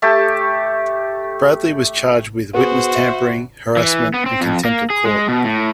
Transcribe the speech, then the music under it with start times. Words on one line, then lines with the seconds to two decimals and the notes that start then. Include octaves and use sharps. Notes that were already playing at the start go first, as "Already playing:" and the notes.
Bradley was charged with witness tampering, harassment, and contempt of court.
0.02 A3 G4 A5
2.54 B3 F#4 G#4 C5
2.95 E5
3.77 E3
4.14 B3
4.26 C4
4.41 F2
4.65 A#3
4.90 G#4
5.05 G#3
5.28 B2
5.44 A2